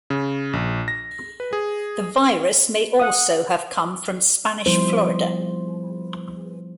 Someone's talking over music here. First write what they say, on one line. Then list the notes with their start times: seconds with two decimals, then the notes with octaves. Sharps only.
The virus may also have come from Spanish Florida.
0.10 C#3
0.53 A#1
0.88 A#6
1.40 B4
1.53 G#4
3.00 F#5 D#6
4.66 F3 G3 B3 E4 C5